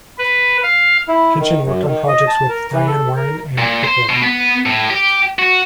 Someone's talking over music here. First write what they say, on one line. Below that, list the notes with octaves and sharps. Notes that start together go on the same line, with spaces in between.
Kinchen worked on projects with Diane Warren and Pitbull.
B4
F5
E4
D#3
F#2
D#3
D#5
A5
A#4
E3
A4
A#4
A#2
C5
B2
B3
A2
G4
F#4